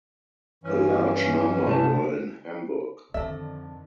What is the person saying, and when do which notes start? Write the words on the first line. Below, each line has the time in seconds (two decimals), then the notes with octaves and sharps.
A large number were in Hamburg.
0.64 G2 E3 C#4
1.67 C3 A3 A5
3.14 F2 D3 D#3 C4 A4 E5 A5